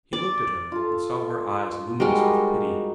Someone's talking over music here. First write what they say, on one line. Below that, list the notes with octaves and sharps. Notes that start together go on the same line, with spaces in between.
He looked at her and saw her eyes luminous with pity.
D5
F4 A4
G3 G#3 D#4 F#4 A#4